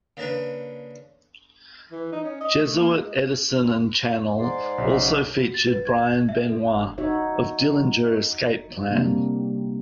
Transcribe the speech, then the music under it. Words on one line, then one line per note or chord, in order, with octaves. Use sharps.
Jesuit, Edison, and Channel also featured Brian Benoit of Dillinger Escape Plan.
C#3 A#3 D4 B4
E3
D#4
C#4
D#5
A3
A#3
G#3
G#2 D5 C6
B1 C#3 F#3
F#4
A6
B4
G#6
E5
A4
D#4 F#4 C#5 E5
C3 G3 A#3 D4